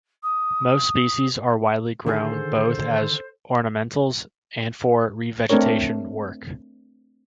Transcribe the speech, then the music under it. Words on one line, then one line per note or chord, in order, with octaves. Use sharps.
Most species are widely grown both as ornamentals and for revegetation work.
D#6
D3 D#3 G#4 A4 C5
A3 C4 D4 A#4 C#5